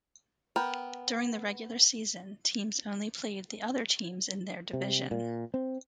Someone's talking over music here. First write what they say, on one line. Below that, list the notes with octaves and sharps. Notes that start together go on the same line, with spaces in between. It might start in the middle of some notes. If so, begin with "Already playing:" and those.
During the regular season, teams only played the other teams in their division.
B3 A#4 G5
C3
A#2
C4